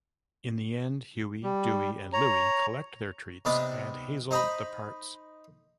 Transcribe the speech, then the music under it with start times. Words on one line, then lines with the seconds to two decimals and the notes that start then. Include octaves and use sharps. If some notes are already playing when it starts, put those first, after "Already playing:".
In the end, Huey, Duey, and Louie collect their treats and Hazel departs.
1.44 G3
2.13 C#5 A#5
3.45 C3 B3 D4 D#4 A5 D6
4.31 D#4 C5 D#5 A#5 B5